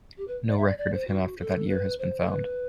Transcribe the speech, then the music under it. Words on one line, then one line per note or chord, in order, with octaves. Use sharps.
No record of him after that year has been found.
G4
B4
D5
E5
D5
D5
C5
F#4
A4
B4
C5
A4
B4